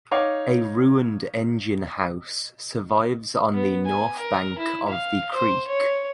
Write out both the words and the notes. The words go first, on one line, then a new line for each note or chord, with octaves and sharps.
A ruined engine house survives on the north bank of the creek.
D#4 C#5 F5 D6
B3
G#5
A#4
E4
F5
C5
C#5